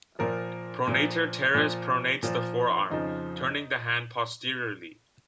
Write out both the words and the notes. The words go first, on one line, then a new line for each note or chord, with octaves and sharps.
Pronator teres pronates the forearm, turning the hand posteriorly.
A#2 F3 A#4
A#2 F3
A#2 F3
A#2 F3
F2 C#3 F3 D#4